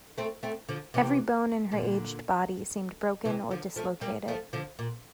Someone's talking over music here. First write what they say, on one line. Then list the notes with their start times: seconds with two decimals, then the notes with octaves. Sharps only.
Every bone in her aged body seemed broken or dislocated.
0.18 A3 C4
0.43 A3 C4
0.69 D3 F3
0.94 C3 E3
1.72 A#2 D3
3.25 C3 E3
3.51 D3 F3
3.76 F3 A3
4.01 G3 A#3
4.28 F3 A3
4.53 D3 F3
4.79 A#2